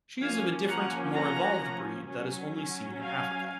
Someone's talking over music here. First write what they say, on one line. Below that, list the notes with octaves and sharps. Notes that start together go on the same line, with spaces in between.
She is of a different, more evolved breed that is only seen in Africa.
F3 A#3 C#4 F5 G#5
F#5 A#5
F#5 A#5
F#3 C#4
F5 G#5